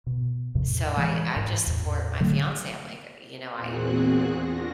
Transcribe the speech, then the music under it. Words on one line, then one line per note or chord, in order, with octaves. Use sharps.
So I I just support my fiancé, I'm like, you know, I
B2
E2 A2 C3 F3
E3 G#3
G#2
E2 A2
D3 F#3 A3
E2 A#2 C4 F#4 G#4 F#6
D4 F4 F#4 A#6